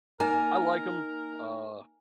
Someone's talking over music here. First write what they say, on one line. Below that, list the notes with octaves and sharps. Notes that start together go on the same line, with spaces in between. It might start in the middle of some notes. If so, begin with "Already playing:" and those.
I like 'em. Uh,
A#3 D#4 A#4 G#5 A#5